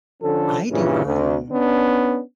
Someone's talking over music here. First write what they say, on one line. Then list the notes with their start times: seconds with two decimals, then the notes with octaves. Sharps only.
I do, um
0.22 D3 F3 C#4 A4
0.70 G2 A#2 C#3 E3
1.05 D2
1.51 B3 C#4 D4